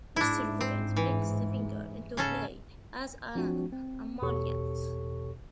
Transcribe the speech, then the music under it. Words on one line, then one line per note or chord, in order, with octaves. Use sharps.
Mr. Bucket brings the finger into play as an emollient.
G#2 D4 E4
C4
E3
C#3 C#4 A4
F3 C4 D4 F#4
C4
E2 B2 G4 A4 C#5 C#6